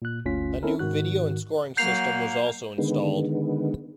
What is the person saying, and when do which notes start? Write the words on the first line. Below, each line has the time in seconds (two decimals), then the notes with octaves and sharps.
A new video and scoring system was also installed.
0.02 A#2 F#6
0.25 G1 D2 C#4 F4 B6
0.63 C4 C#4 E4 A4 A#4
0.79 G#2 D#3 F#4 F#6
1.77 F#3 A#3 F#5 G6 C7 F7
2.78 D3 D#3 G#3 B3